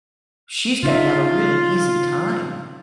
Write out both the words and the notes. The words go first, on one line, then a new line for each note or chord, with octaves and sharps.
she's gonna have a really easy time.
C#3 D#4 F4 E5